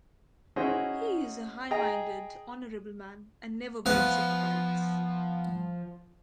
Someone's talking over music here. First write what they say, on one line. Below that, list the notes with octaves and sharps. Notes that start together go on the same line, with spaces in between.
He is a high minded, honorable man and never begs of the whites.
C#4 D#4 E4 F#4 G#4 C5
G#4 D#5 G5 A#5
F3 B3 F5